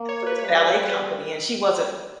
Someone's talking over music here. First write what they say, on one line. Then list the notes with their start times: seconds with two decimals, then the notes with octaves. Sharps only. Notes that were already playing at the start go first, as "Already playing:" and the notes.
for this ballet company, and she wasn't,
Already playing: A#3
0.09 C#5
0.27 B4
0.39 C#5
0.45 G3 B4